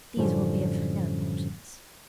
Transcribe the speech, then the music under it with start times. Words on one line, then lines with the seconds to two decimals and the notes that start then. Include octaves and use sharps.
These will be of no importance.
0.17 F#2 A2 D3 F3 G3 C#4